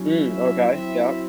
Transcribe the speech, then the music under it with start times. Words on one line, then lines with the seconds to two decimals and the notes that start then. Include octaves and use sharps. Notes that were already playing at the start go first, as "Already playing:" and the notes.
Mm, okay. Yep.
Already playing: F#3 C#4 E4
0.19 E5
0.70 F#3 C4 E4 E5